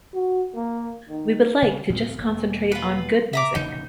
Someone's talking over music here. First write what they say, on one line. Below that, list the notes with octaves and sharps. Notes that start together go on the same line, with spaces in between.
We would like to just concentrate on good music.
F#4
A#3
D#3
C#3
D2 A2 C4
E1 A#3
F4 B4
E5 A#5 D6
E1 A#1 C#3 D#4